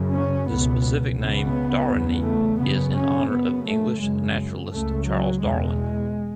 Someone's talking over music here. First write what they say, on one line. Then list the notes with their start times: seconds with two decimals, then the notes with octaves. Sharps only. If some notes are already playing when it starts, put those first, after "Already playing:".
The specific name, "darwini", is in honor of English naturalist Charles Darwin.
Already playing: F#2 C#3
0.12 C#4
0.47 C#2 B3
0.53 B2
1.18 C#2 C#3 B3
1.89 E2 C#3
2.23 A3
2.58 F#2 C#3 B3
2.94 C#4
3.29 F#2 C#3 B3
3.65 A3
3.99 F#2 C#3 G#3
4.70 C#2 C#3 A3
5.05 F#3
5.41 E2 B2 G#3